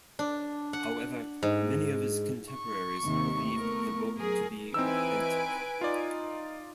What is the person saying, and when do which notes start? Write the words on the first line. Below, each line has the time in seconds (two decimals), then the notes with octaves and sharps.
However, many of his contemporaries believed the book to be authentic.
0.19 D4
0.73 F#5
1.43 G#2
2.53 C#6
3.03 D#2 C3 D#3
3.54 A3 B3 A#4
4.17 F#2 G#4 A#4
4.74 E3 C4 D#4 B4 G#5 E6 D7
5.81 D#4 F4 D5